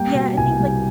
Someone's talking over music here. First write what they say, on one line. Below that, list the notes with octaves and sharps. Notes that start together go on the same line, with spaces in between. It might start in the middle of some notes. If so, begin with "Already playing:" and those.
Yeah, I think, like,
Already playing: G3 A#3 G5
B2
C2 G#5
G3